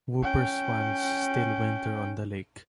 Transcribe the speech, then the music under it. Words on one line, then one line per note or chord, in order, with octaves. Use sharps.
Whooper swans still winter on the lake.
C#4 G5